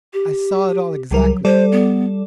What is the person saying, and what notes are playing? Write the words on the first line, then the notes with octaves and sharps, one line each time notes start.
I saw it all exactly.
G4
C#2 F#3 G3 A#4
G3 A4 C5 D5
B3